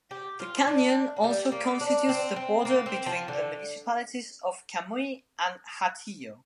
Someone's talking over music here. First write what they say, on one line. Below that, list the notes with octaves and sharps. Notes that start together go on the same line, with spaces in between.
The canyon also constitutes the border between the municipalities of Camuy and Hatillo.
G4
F4
D4
A#3
G3
A#3
D4
C4
C4
A#3
C4
F3
D3